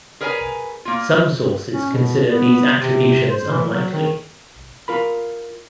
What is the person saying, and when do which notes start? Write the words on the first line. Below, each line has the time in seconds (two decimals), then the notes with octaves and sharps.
Some sources consider these attributions unlikely.
0.21 G#4 A#4 B4 C#5 G#5 A#5
0.85 A#3 F4
1.73 C#4
1.90 B2
2.24 B3
2.76 C3
3.29 C5
3.49 E3
3.65 F#3
3.91 D#3
4.88 F4 A#4 B5